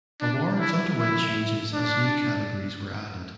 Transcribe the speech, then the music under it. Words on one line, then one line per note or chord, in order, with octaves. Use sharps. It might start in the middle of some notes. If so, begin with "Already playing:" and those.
Awards underwent changes as new Categories were added.
D4
E4
E4
D4